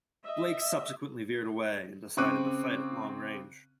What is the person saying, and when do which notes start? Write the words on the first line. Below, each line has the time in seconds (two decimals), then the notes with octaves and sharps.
Blake subsequently veered away and decided to fight at long range.
0.25 D#5 E5
2.17 C#3 C4 C#6 D6 F#6 D#7